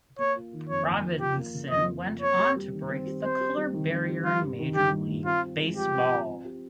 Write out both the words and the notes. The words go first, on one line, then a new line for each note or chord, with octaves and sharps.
Robinson went on to break the color barrier in Major League Baseball.
A#3 C#5
F4
D#3
F2 C#5
A#3
F4
F3 G4
A#3
C#3
F2 D#5
F3
A#3
C4 C#5
G4
G3
D#3
C4
G4
C4 C5
G4
G3
D#3
C4
G4
G3 F4
G2
D#3
G2 G4
G3
G2
C4 F4
F4
G#3
F3 G4
C4
F4
C4
G4